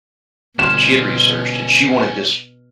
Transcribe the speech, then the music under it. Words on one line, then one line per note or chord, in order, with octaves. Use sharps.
she had researched, and she wanted this
G1 B2 C#4 C5 C6 F6 E7